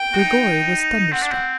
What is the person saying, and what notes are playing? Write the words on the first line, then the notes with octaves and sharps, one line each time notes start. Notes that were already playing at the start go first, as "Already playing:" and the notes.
Grigory was thunderstruck.
Already playing: G5
F#4
D#4
C4 F#5
D4
C4